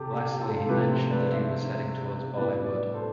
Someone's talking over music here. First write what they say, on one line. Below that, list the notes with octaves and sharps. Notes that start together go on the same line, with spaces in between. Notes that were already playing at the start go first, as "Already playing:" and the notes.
Lastly, he mentioned that he was heading towards Bollywood.
Already playing: C3 G4 A4
G4
F4 A4
C3 F3 A3 G4 B4
A4 C5
B4 D5
C5 E5
A2 G3 B3 D4 B4 D5
B4 D5
A4 C5